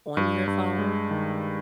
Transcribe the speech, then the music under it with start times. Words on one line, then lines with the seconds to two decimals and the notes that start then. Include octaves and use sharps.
on your phone,
0.17 G2
0.48 G2
0.79 G#3
1.11 D#3